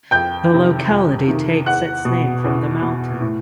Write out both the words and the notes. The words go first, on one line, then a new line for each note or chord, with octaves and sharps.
The locality takes its name from the mountain.
F2 G5 G6
C3 D#3
F2
C3 D#3
E2 F#5 F#6
B2
E2
B2
A2